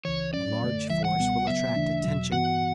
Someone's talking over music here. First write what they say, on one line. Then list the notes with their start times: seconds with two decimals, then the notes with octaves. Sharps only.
A large force will attract attention.
0.05 C#2 C#3 E3 C#5
0.33 A2 F#3 C#4 D5
0.62 F#2 D3 A3
0.90 C#2 C#3 E3 G3 E5
1.05 F#5
1.18 C#2 B2 G3 B3
1.47 C#3 F#3 B3 E5
1.75 D2 C#3 E3 A3 D4
2.03 E2 B2 F#3
2.32 G2 E3 B3 F#4 F#5